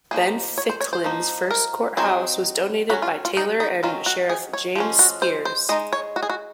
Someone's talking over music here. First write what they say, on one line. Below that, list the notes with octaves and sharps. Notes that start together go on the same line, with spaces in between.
Ben Ficklin's first courthouse was donated by Taylor and Sheriff James Spears.
F3 A#3 D#4 G#4
C#5
C5
C#5
C5
F3 A#3 D#4
A#4
F#3 C4 D#4 G#4
F#3 C#4 F#4
F4
F4
D#4
D#4
D#3 F#3 C#4 F4
F#4
G#4
C#5
F3 G#3 C#4
F#4
C5
C5
G#3 D#4 D#5
C#5
F#4
G#4
F#4